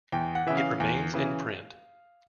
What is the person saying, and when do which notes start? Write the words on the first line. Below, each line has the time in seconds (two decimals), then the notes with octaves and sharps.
It remains in print.
0.12 E2 G5
0.35 F#5
0.47 C#3 E3 E5
0.57 F5
0.80 E2
1.14 C#3 E3